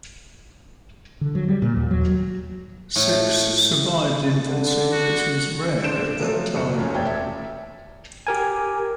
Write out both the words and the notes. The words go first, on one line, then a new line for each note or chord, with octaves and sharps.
Six survived infancy, which was rare at that time.
D3
F#3
G3
A#2
D#2
F#3
A2
D3
F#4
D4 C5 D7 E7
C3 F3 F#3 A3
F#1 F#4 C#6 C#7
F1 F3 C#4
E1 A3 G4 D5 G5 G#6
E5
G4 A#4 G#5